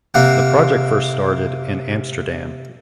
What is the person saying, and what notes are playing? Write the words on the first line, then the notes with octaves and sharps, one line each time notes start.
The project first started in Amsterdam.
C3 A#3 F#5